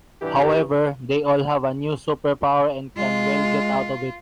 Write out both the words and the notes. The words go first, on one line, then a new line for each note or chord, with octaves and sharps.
However, they all have a new super power and can well get out of it.
G2 B2 E3 G4
G#3 F4